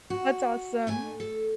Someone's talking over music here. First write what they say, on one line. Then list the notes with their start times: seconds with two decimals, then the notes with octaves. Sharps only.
That's awesome.
0.10 F#4
0.87 A#2 A3 G#5
1.20 A4